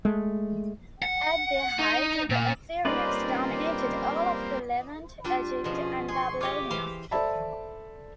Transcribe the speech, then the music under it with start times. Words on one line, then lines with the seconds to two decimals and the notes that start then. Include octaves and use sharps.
At their height, the Assyrians dominated all of the Levant, Egypt, and Babylonia.
0.05 G#3 A3
1.02 F#5
1.79 D#4
2.30 A#2
2.85 G3 A#3 C4 C#4 D#4 F4 B4 D5
5.24 G3 D4 F4 G4
5.64 B2 F3 C#4 G#4
6.08 G#4 C6 C#6
6.41 F4 G4 C#5 D#5 D6
6.70 E3 C5 F5
7.11 A4 C5 D5 E5 A5 B5